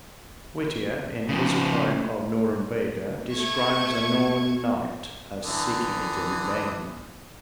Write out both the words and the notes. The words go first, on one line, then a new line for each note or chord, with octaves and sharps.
Whittier in his poem of "Norumbega" describes a Norman knight as seeking it in vain.
C#3 F3
A3 C#6 G#6
D3 E3 D#6